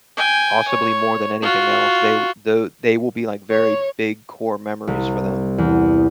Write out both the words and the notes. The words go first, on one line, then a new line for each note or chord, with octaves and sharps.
possibly, more than anything else. They w the they will be, like, very big core memories for them,
G5 G#5
C#5
F4 F#4
C#5
C2
E2